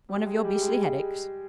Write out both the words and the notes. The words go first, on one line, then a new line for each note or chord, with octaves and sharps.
One of your beastly head-aches.
G3
G#3
G3
G#3